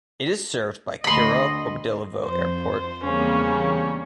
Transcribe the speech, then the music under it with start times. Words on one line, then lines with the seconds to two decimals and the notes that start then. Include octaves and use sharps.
It is served by Kirov Pobedilovo airport.
1.04 D2 D#5 B5 C6
2.25 F2 C5
3.04 E2 C#3 E3 G3 A#3 C4 C#4